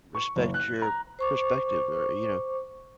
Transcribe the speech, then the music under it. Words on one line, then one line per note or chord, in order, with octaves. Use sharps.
respect your perspective or, you know,
C#6
F#1
F#6
A#5
C5 C#6 D6